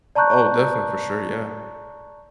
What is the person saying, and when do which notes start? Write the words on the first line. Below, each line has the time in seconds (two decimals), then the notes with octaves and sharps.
Oh, definitely, for sure, yeah.
0.15 D5 A5 A#5 C#6 F#6 G6